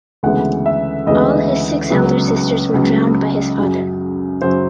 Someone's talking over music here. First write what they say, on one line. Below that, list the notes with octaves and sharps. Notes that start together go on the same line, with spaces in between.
All his six elder sisters were drowned by his father.
D2 C#3 E3 G#3 B3 F#5
E5
D2 C#3 E3 G#3 B3 D#5
C#2 C#3 F#3 B3
C#2 C#3 F#3 B3
F#2 C#3 F#3
F#2 C#3 F#3 C5